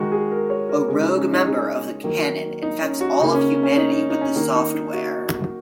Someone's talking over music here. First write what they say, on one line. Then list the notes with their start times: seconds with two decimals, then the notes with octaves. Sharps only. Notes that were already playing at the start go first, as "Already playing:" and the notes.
A rogue member of the Canon infects all of humanity with the software.
Already playing: D#3 G#3 F#4
0.12 G#4
0.31 A#4
0.50 C#5
0.69 A#4
0.88 C#3 G#3 G#4
1.03 D#4
1.18 C#4
1.32 D#4
1.47 G#4
2.04 D#3 F#3 A#3
2.62 D#4
2.82 C#4
3.01 F#4
3.20 C#3 A#3 D#4
3.34 C#4
3.63 C#4
3.78 D#4
3.92 D#4
4.10 D#4
4.21 C#4
4.36 D#3 A#3 D#4
4.55 D#4
4.74 D#4
4.94 F#4